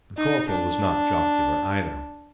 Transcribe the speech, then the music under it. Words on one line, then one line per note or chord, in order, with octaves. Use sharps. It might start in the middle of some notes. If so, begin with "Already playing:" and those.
The Corporal was not jocular either.
D#4
D4